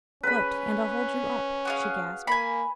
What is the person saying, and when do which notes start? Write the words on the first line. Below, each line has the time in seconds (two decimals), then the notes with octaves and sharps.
"Float, and I'll hold you up," she gasped.
0.23 C#4 B4 B5
1.65 F#4 G#4 F5
2.27 A#3 G#5 B5